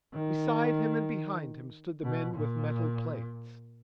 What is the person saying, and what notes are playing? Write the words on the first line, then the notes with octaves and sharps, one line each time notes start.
Beside him and behind him stood the men with metal plates.
D#3
B2
A#2